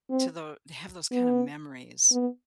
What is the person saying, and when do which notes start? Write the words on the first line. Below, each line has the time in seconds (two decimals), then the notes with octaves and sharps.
to the have those kind of memories.
0.10 C4
1.12 B3
2.12 B3